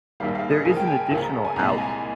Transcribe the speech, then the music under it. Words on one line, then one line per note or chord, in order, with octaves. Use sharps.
There is an additional out
A#1 G#2 D#3 G3 F5
F5
D#5
C#2 C#3 F3 A#3 G#5
G5
G#5
C#2 C#3 F3 A#3 G#5
A#5
G#5
C2 A#2 G#3 A#5
A#5
G#5